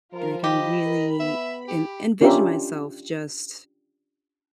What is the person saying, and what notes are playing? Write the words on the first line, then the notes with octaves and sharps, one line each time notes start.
and I can really en envision myself just
F3 F4 A#4
G4 D#5 B5
A#4
B3 E5
G4
C#4 D4 F4 G4 A#4 E5